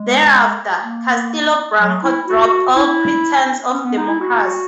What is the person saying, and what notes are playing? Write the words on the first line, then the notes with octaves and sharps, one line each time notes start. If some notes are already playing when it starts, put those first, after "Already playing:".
Thereafter, Castelo Branco dropped all pretense of democracy.
Already playing: G#3
A#3
F#3
E4
F#4
E4
C#4
B3
D#4
E4
F#4